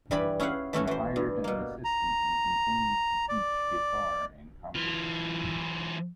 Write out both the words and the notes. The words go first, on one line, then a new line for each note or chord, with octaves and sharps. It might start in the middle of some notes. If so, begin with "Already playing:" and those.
He hired an assistant and continued to teach guitar and composition.
G2 E3 G3 D5 G#5 B5
C#4 E4 G#4 F5 F#5
E3 A3 C#4 F#4
E3 C5
G2
B2 A#3
A#5
D5
E3 F4